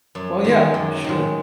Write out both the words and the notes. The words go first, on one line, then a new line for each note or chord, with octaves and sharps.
Well, yeah, sure.
F#2
D#3 G#3
F#2
D#3 G#3